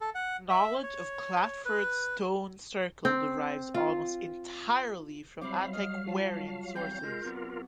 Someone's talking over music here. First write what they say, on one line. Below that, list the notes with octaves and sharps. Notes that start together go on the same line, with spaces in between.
Knowledge of Clatford Stone Circle derives almost entirely from antiquarian sources.
A4
F#5
E5
C#5
B4
C4
F4
F#3 G3 C4 E4 F5 D6
D#5 F6
F4 A5
F2 E3 G5 G6
G#3 F4 A#4
C3 F#3 B3